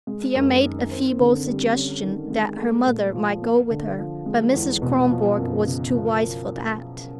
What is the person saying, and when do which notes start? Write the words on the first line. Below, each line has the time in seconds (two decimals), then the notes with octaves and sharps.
Thea made a feeble suggestion that her mother might go with her, but Mrs. Kronborg was too wise for that.
0.07 G#3
0.35 F#2
0.63 D#3
0.91 C4
1.19 D3
1.46 G3
1.74 C#4
2.03 D#3
2.30 G#3
2.58 A3
2.86 A#2
3.14 F3
3.42 A#3
3.70 D3
3.98 F3
4.26 G#3
4.54 E2
4.82 B2
5.10 F3
5.38 F#2
5.66 C#3
5.94 F3